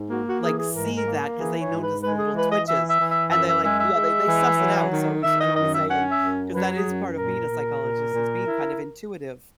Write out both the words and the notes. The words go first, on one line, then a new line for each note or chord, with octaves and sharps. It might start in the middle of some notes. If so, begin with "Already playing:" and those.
like, see that 'cause they notice the little twitches and they, like yeah, they they suss it out so, we sh I always say and 'cause that is part of being a psychologist is being kind of intuitive,
Already playing: G#2
A#3 F#4
F#4
E3 G#4
G#4
G#2 A#4
A#4
A#3
E3 G#4
C#5
G#2
B4
G#3 B4
G#4
E3 B4
D#5
E3 E5
E5
E3
E5
F#2 E5
E5
G#3 E5
E5
G#3
E3
F#3
D#3
D#3 E5
D#5
F#2 D#5
E5
C#4 F#5
E5
F#2
F#3 B4
G#4
F#2
A#2 A#4
A#2
A#2
A#2
E4